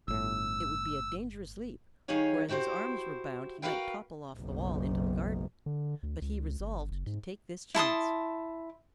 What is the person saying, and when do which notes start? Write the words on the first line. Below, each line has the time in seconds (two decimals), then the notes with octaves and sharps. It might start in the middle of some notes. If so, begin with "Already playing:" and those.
It would be a dangerous leap, for as his arms were bound he might topple off the wall into the garden; but he resolved to take this chance.
0.08 G1 A2 E6
2.08 D#3 G3 C#4 G#4 C#5 F5
2.48 E4 F#4 G4 A#4 C5
3.62 F#4 G#4 A#4 B4 F5 G5
4.36 F#1 B1
5.66 D3
6.03 D2
6.22 C#2
6.60 G1
6.91 F#1
7.06 G#2
7.75 E4 A5 C6 D#6